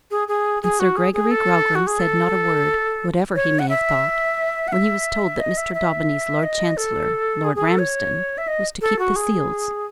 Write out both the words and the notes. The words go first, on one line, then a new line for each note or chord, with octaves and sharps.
And Sir Gregory Grogram said not a word, whatever he may have thought, when he was told that Mr. Daubeny's Lord Chancellor, Lord Ramsden, was to keep the seals.
G#4
G#4
G#4
F#4
G#4
G#4
A4
F#4
G#4
A4
C#5
F#5
E5
F#5
E5
D#5
E5
E5
D#5
A4
G#4
G#4
A4
C#5
E5
D#5
A4
F#4
G#4